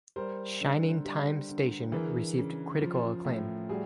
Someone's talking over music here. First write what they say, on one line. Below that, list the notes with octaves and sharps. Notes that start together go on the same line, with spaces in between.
"Shining Time Station" received critical acclaim.
G3 A#4 C5
D3
G3
D3
E3 G#4 A#4
C#3
F3
A2
G3 F#4 G#4